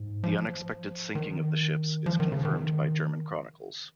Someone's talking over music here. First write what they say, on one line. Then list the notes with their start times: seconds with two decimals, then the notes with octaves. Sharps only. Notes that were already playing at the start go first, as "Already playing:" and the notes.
The unexpected sinking of the ships is confirmed by German chronicles.
Already playing: G#2
0.24 F3
1.15 D#3
2.06 F3
2.20 D#3
2.32 C#3
2.45 D#3